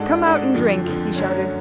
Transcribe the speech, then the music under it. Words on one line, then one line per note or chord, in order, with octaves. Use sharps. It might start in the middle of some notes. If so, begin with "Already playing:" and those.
"Come out and drink," he shouted.
Already playing: G#2 G#3 D4 F#4 A4
G#2 G#3 D4 F#4 A4
F2 D3 F3
F2 D3 F3
F#2 D3 F#3 A3 C#4